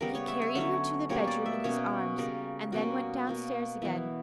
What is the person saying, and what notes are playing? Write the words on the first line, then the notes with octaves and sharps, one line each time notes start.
He carried her to the bedroom in his arms and then went downstairs again.
C#3 G3 B3 A#4
C#5
E5
E5
D3 F#3 C#4 C#5
B2 G3 A#3 C#5
D5
E5
B2 A#3 C#4 C#5
C#3 G3 C#4 A#4
B2 G3 A#3 C#4 F#4
B2 A#3 C#4
E3 B3 E4